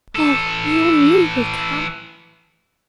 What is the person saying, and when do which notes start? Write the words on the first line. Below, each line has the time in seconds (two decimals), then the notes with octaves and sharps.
'Oh! we all knew you would come.
0.15 E3 A4